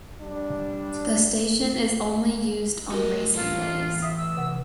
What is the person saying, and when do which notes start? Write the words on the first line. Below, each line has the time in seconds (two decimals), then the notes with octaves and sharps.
The station is only used on racing days.
0.21 G3 D4
2.91 A3 F#4 A#4 D#5
3.35 E3 F4 A4
4.02 E5 D#6
4.17 E6
4.37 C3 F#5